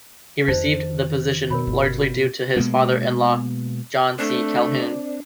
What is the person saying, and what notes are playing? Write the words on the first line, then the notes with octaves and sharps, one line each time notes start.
He received the position largely due to his father in-law John C. Calhoun.
F2 D#3 C5 D5 A5
B2 A#4 C#5 B5
G1
B2 G#3 A#3 B3
A3 C4 D4 D5